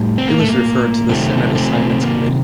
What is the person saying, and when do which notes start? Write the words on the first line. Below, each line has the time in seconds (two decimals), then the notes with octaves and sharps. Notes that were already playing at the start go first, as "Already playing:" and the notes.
It was referred to the Senate Assignments Committee.
Already playing: A2 G3
0.18 C4
0.28 A#3
0.39 A3
0.48 A#3
1.09 C3 D#3 F#3 A3 C4
1.55 A3 C4
2.02 A#3